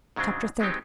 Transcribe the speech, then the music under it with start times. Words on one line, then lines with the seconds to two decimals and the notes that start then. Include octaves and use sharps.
Chapter XXX.
0.16 G#2 C#3 F#3 G#3 C4 D4
0.60 F#3 G#3 B3 C4 D#4 G4